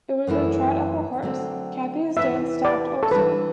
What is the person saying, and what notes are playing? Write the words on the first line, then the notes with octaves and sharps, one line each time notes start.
It was the trot of a horse; Cathy’s dance stopped also.
F#2 E3 A3 E4
D3 F#3 A3 C4
E2 C3 E3 B3 E4 E5
D5
A4
E3 G3 D4 B4